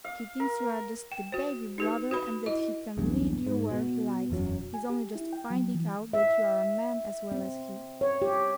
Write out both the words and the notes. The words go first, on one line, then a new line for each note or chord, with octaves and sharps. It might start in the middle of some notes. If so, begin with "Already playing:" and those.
He thinks you are just the baby brother and that he can lead you where he likes. He's only just finding out that you are a man as well as he.'
F5
A#4
G5
F#4 C5
D#4 G4 B4
F#4 B4 B5
E4 D#5
B1 E2 G2
G#2
B2
E1 F#2 F#3
G#5
G4
E4
G5
F#3
E3
E5
C4
C#5
G4